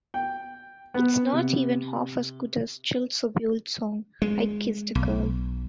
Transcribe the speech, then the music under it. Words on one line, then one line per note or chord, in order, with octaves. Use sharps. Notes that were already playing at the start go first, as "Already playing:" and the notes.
It's not even half as good as Jill Sobule's song 'I Kissed a Girl'.
G5
B3
C3
G#3
B1